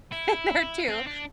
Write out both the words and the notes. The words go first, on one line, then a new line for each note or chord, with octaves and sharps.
in there too.
E4
C4
D4